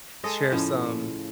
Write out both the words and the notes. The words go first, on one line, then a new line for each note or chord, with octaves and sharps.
share some
G#3 A4 D#5
A2 C#3 F3